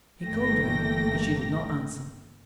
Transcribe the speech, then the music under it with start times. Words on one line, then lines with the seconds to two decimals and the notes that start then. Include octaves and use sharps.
He called her, but she did not answer.
0.25 G1 E3 A3 A#3 G5 A#6